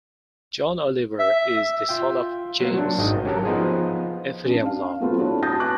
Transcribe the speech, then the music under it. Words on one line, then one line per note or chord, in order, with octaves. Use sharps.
John Oliver is the son of James Ephriam Law.
E5
F4 G5
F#3 A#3 F4
F#3 D4
G#1 D#3 D#5 G5
F#3 C#4 G4 A#4 A5
F3 B3 D#4 F4 G#4
C#4 D4
F5
F#3 A3 B3 C4 F4
D4 E4 F#4 C#5
A5 D#6 G6 A6 A#6
B4 G#5 A5 C#6 D6 F#6